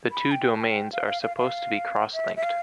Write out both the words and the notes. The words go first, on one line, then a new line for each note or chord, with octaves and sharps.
The two domains are supposed to be cross-linked.
B5
G5
A5
G5
F5
F5
F5
F5
E5
E5
F5